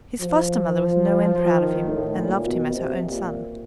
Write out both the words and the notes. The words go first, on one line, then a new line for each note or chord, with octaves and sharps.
His foster-mother was no end proud of him, and loved him as her own son.
F3
F3
D#3
A2
A#2
B2
C3
A#2